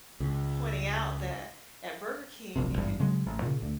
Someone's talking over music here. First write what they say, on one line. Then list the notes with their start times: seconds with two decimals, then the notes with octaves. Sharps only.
pointing out that at Burger King, you could
0.20 C#2
2.56 D1 A#1 C3
2.78 G#1 E2 G2
3.00 C#3 F#3 G#3
3.26 A1
3.42 A#2 C#3
3.62 D2